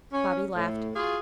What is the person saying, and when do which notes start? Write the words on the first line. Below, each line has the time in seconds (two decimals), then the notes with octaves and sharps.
Bobby laughed.
0.13 C#4
0.54 A2
0.96 F4 F#4 G#4 F5